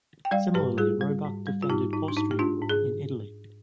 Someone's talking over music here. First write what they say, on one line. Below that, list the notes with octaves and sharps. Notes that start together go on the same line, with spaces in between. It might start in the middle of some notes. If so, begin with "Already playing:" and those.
Similarly Roebuck defended Austrian rule in Italy.
G5
G3 D5 F5
G#2 G4 B4
G3 F4 G#4
G3
G#2
G3
F4
G#2 D#4 G4
G#2 D#4
D4
G#2 D#4
G4
G#2 D4 F4
G#2
G#4